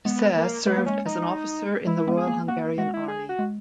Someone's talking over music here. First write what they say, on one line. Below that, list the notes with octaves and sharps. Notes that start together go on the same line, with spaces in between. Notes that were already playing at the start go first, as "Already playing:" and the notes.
Cseh served as an officer in the Royal Hungarian Army.
G#3 B3
A#3
G#3 B3
A#3
G#3 C#4
D#4
G#3 E4
G#3 B3
G#4
A#3
A#3 F#4
G#3 F#4
E4
G#4
F#4
G#3